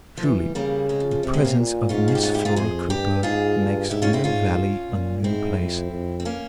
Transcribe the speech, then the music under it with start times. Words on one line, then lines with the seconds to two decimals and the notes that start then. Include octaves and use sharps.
Truly, the presence of Miss Flora Cooper makes Willow Valley a new place.
0.17 F3
0.22 E3 G3
0.55 C#3 G3 A#3
0.89 G#3 C4
1.00 F3
1.11 F3
1.23 C3 G3
1.33 G#3 C4
1.44 A#3 C#4
1.57 A#2
1.89 G#2 C#4 F4
2.08 G#4
2.15 G4
2.23 C#4 F4
2.34 E4 G4
2.45 F4 G#4
2.56 F2 G#4 C5
2.90 G2 G4 A#4
3.23 G#2 F4 G#4
3.58 G2
3.90 G#2 E4 G4
4.02 C#4 F4
4.13 C4 E4
4.24 G#2 C#4 F4
4.91 A#2
5.24 G#2 C4 E4
5.58 F2
5.91 F2
6.20 C4
6.25 A#3 C#4